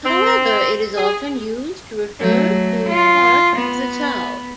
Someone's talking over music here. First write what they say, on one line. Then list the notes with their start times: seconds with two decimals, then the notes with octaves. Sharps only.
However, it is often used to refer to part of the town.
0.04 C4
0.97 G#4
2.19 F#3 A3
2.87 F4
3.56 B3